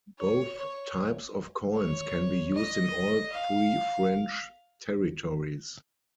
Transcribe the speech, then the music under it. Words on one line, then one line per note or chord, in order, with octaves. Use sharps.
Both types of coins can be used in all three French territories.
C#5
C#5
C#5
D#5
F5